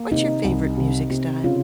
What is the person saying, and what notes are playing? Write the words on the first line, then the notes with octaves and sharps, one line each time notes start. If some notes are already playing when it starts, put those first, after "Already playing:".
What's your favorite music style?
Already playing: A#3
C3 D#4
C2
C3
C3
C#3 F4